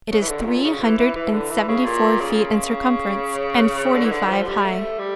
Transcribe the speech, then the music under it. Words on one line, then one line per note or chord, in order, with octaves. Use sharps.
It is three hundred and seventy-four feet in circumference and forty-five high.
C#3
E3
D3
C#3
A#2
C#3
E3
E3
E3
D3
E3
C#3
A#2
C#3
D3
E3
D3
F3
G3
A3
G3